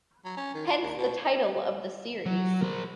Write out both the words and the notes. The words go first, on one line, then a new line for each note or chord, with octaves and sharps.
Hence the title of the series.
F#3
C#4
D#3
F4
D#2
B2
F#3
A#4 C5